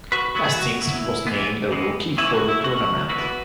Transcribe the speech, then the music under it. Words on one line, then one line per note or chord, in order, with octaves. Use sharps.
Hastings was named Rookie of the Tournament.
F#4 B4
F#3 B3 F#4
G#4
F#4
F#3 B3 E4
E3 G#3 B3
E3 G#3 B3
E3 C#4 E4
F#4
E4
E3 C#4 F#4
E3 B3 F#4 B4